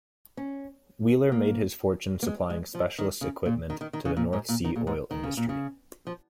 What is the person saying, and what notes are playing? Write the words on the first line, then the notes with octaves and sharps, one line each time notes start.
Wheeler made his fortune supplying specialist equipment to the North Sea oil industry.
C#4
A#3
A#3
G#3
G#3
F3
D#3
C#3
A#2
D#3
D#3
D#3
C#3
A#2
G#2
A#2
D#3
A#2
G#2
D#3
C#3
A#2
C#3
F3